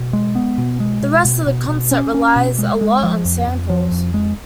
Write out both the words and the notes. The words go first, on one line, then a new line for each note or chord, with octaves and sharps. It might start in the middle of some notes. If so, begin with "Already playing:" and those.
The rest of the concert relies a lot on samples.
Already playing: B2
G#3
B3
B2
G#3
B2
B2
B2
B2
C#4
C#4
B2
G#3
G#3
F3
F2
F2
F3
F2
G#3